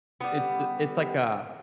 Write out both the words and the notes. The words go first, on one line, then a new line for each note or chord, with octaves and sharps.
It's it's like a
G3 B3